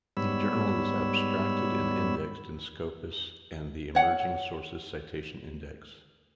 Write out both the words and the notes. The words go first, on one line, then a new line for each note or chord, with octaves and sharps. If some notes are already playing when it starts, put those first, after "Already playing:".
The journal is abstracted and indexed in Scopus and the Emerging Sources Citation Index.
G#2 G3 B3 C#5 B5 E6
C#5 F#5